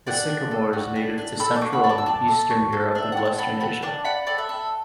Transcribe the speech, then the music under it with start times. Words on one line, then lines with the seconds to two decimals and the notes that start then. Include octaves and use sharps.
The sycamore is native to central and eastern Europe and western Asia.
0.07 D4 D5 F#5
0.29 D4
0.51 A4
0.73 F#4
0.96 D4
1.18 D4
1.39 A4 B5 E6
1.56 A5 D6
1.61 F#4
1.73 F#5 B5
1.84 D4 B5
1.89 A5 D6
1.98 E6
2.06 D4 A5 D6
2.28 A4
2.50 F#4
2.73 A4
2.95 D4 E5
3.12 D4 F#5
3.25 A5
3.38 A4 F#5 B5
3.60 A4 F#5 B5
3.82 D4 A5 D6
4.05 D4 F#5 B5
4.27 A4 D5
4.38 B4 E5
4.49 A4